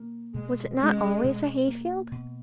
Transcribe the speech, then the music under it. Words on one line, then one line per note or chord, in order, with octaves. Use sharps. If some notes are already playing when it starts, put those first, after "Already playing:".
Was it not always a hay-field?
Already playing: B2 A#3
B2 G#3
G#3 C#4
B2
A#3
B2